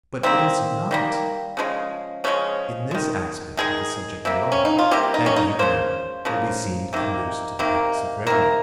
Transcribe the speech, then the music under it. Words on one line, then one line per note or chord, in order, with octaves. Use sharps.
But it is not in this aspect of the subject alone that Union will be seen to conduce to the purpose of revenue.
D#3 G3 A#3 C4
D#3 G3 A#3
C#3 F3 G#3
C#3 F3 G#3 C#4
D#3 G#3
D#3 G#3 G#4
C3 G3 A#3
C#4
D#4
F4
C3 G3 A#3 G4
D#4
C#4
D#4
C#3 F3 A#3 C5
C#3 F3 A#3
C3 D#3 A#3
C3 D#3 A#3
C3 D#3 A#3 A#4